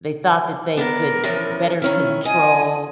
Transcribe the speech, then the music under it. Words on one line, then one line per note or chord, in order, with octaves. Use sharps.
They thought that they could better control
B3 D4 A#4
E3 F3 C#4
D#3 C#4 E4 F6
D#5 G#5